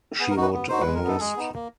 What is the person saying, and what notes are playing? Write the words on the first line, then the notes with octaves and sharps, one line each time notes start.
She would enlist.
B3 G#4
A#4
D#4 F#4
B4
B3
D#4 F#4 C5
B4
G#3
A#4
B3 D#4 A4
G#3 G#4
B3 D#4
A#3